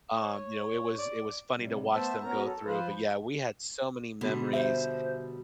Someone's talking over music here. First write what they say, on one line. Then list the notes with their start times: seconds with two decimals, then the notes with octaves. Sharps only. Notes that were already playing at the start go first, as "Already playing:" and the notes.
um, you know, it was it was funny to watch them go through, but, yeah, we had so many memories
0.16 C#5
0.98 D5
1.55 A2 C3 G3
1.92 A3 B3 C5 E5 A5
2.22 F#3 B3 C#4 F#4 A#4 A#5
2.44 A4
2.65 F3 F4 B4 C5
4.21 B2 D3 G3
4.53 C5 E5